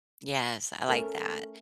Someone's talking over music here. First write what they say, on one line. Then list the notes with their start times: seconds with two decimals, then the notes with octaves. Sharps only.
Yes, I like that.
0.89 A3 C#4 A4 A#4